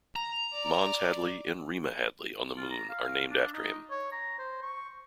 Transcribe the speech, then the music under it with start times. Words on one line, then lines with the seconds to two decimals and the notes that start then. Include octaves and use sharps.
Mons Hadley and Rima Hadley on the Moon are named after him.
0.16 A#5
0.53 D5
2.57 F4
2.70 A#5
2.90 F5
3.30 D4
3.53 D#4
3.90 C#5
4.12 A#5
4.39 C5
4.62 C#6